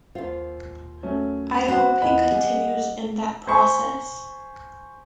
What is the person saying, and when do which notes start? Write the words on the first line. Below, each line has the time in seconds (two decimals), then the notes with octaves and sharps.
I hope he continues in that process.
0.15 D#2 F4 C5
1.03 F#3 A3 C#4
1.68 B3 F#4 C5 F#5
2.02 D#2 E3 F4 D#5 F#5 B5
2.31 G3 G#4
3.47 C5 G#5 B5 C#6